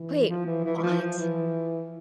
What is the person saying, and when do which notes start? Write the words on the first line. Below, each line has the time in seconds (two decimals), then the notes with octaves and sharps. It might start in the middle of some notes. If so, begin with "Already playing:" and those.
Wait. What?
Already playing: E3
0.28 F3
0.46 E3
0.64 E3
0.77 E3
0.82 F3
1.01 F3
1.19 E3